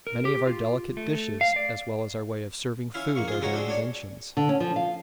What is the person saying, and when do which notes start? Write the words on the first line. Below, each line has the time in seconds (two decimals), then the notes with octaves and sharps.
Many of our delicate dishes, as well as our way of serving food, are their inventions.
0.07 A#4
0.25 G4
0.47 F4
0.97 A3
1.41 F5
1.56 D5
2.94 C#4 E4 F5
3.15 A#1 A#3 F5 C#6
3.28 F4 G#4
3.42 C#3 G#3 D#4 F#4 C#5
3.54 G#3 C4 D4
3.68 D4 C#5 D5
4.37 D3
4.49 C#4
4.60 F3
4.76 F5